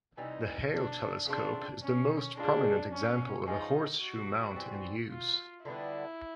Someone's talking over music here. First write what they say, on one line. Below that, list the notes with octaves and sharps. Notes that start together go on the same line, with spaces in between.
The Hale telescope is the most prominent example of a Horseshoe mount in use.
C3 E3 G3 D#4
D4
C#3 F3 A3 C4 D4
C#4
G#3 C#4 D4 F4 G#4
C#4
F3 G#3 C#4 D#4
F#4
E3 G3 C4
F4
D3 G3 B3 D4 E4